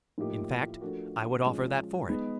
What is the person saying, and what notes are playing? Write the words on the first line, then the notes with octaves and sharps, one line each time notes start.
In fact, I would offer that for it.
A2 F3 A#3 D#4 G4
F3 A3 D4 F#4 A#4
F3 G#3 C#4
G#3 B3 D#4